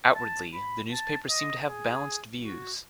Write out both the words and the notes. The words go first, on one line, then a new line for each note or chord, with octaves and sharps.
Outwardly, the newspaper seemed to have balanced views.
A5
B5
A5
D#5
G#4
F#4